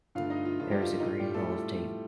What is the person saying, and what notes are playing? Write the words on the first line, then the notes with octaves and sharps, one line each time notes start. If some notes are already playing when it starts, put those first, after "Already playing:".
There is a green roll of tape.
G2 D3 A3 F4 F5
D#4 D#5
F4
G2 D3 A3 F4
G3 G4
F4
F4
D#4
A2 A3 F4
G3 G4
A3 A4
A2 A3